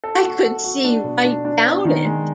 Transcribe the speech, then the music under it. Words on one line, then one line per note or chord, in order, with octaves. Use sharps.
I could see right down it.
A4
F#4
A4
F#4
D4
B2
D4
D4
B3
D#3
G#3